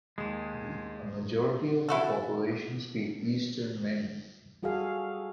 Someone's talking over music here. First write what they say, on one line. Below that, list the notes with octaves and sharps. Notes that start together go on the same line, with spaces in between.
A majority of the population speak Eastern Min.
D#2 G#3 E7
E4 F#4 A4
G3 F#4 G#4 A4 F5